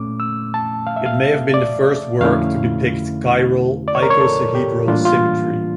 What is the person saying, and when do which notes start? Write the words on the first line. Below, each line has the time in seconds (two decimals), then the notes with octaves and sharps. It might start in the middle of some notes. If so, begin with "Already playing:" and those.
It may have been the first work to depict chiral icosahedral symmetry.
Already playing: A#2 A3 C#4 D6
0.20 E6
0.54 A5
0.87 F5
0.96 E5
1.06 F5
1.54 D5
2.21 F2 D3 A3 C#4 E4 F5
3.88 D5
3.95 C#5
4.02 A#4
4.10 C#5
4.20 A4
4.55 G4
4.88 A2 E3 G3 A#3 D4 F4
5.05 F4